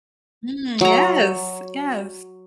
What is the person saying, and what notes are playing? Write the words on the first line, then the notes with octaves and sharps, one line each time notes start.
Mm, yes, yes.
F#3 A#5